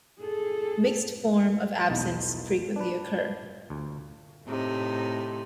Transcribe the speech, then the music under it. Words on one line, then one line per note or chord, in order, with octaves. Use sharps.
Mixed forms of absence frequently occur.
G#4 A4
B1 E2 D#4
D4 B4
D2
A2 C3 A3 D#4